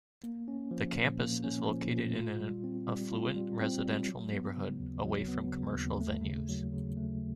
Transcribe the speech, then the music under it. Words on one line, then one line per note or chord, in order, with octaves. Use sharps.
The campus is located in an affluent residential neighborhood away from commercial venues.
A#3
C#4
F3
A#2
A#3
C#4
F3
A#2
F4
G3
C4
G3
F4
G3
C4
G3
F#3
B3
C#3
D#2
F#3
B3
C#3
D#2
A3
C#3
F#3
C#3
A3